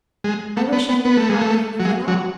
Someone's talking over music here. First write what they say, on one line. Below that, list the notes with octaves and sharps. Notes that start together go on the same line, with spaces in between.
I wish I knew how they live at all.
G#3
A3
B3
B3
B3
A3
G#3
A3
F#3
G#3
F#3